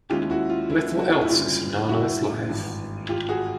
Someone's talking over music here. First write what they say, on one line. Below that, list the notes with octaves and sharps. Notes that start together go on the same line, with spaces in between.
Little else is known of his life.
D#2 D#3 G#3 C#4 E4 F4 G4
E4 F#4
F4
E4
F#4
F4
E4
F#1 F#2 D3 G3 F4
E4 F#4
G#1 G2 E3
F4 G4
F#4 G#4